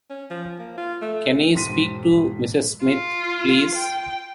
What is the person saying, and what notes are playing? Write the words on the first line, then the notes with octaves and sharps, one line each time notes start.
Can he speak to Ms. Smith please?
C#4
F3
A#3
F4
A3
E1 G#2 C6 B6 D#7
F4
G5